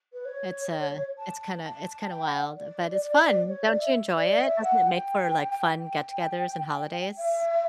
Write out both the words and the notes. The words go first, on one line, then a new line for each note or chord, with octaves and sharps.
it's a it's kinda it's kinda wild, uh, but it's fun. Don't you enjoy it? Doesn't it make for, like, fun get togethers and holidays?
B4
C#5
A5
A5
A5
G5
F#5
D5
C#5
D5
E5
D5
E5
F#5
G5
G5
E5